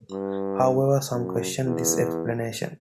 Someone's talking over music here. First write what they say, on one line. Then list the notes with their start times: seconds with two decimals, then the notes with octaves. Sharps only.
However some question this explanation.
0.11 G2
1.14 F#2
1.65 E2